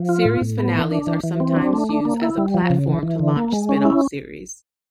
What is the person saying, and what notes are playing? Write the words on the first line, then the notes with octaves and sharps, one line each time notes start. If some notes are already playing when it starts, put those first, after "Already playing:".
Series finales are sometimes used as a platform to launch spinoff series.
Already playing: F3
F4
A2
A2
B3
E3
D4
E3
E3
C4
D4
A3
D4
A#3
E4
G3
F3
C#3
E3
E3
D3
A#3
G#3
C#4
E4